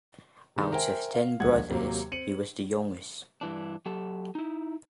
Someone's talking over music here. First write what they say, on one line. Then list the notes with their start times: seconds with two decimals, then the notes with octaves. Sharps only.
Out of ten brothers, he was the youngest.
0.56 C3 D#3 G#3
0.73 A#4 C5 E5 G5 G#5
1.14 F5
1.40 D#1 C#2 D3 F3 F#5 G#6
1.69 D#2 C3 F#3 A#3
2.12 C4 C#7 D#7 F#7
3.41 G2 E3 D4
3.86 F#3 G4 A4
4.35 D#4 E4